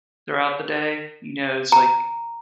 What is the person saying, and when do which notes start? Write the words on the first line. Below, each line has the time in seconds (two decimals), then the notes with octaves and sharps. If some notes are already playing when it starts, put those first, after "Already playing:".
throughout the day, you know, it's, like,
1.72 A#5